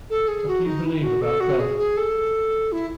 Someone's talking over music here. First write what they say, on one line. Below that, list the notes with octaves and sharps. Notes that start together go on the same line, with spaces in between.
What do you believe about God?
A4
G#4
F#4
D#4
E4
F#4
A4
F#4
G#4
G#4
A4
E4